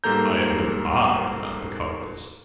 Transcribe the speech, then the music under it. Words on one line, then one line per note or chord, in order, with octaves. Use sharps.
"I hope I am not the cause."
G#2 G3 A#3 A4 A#5 G6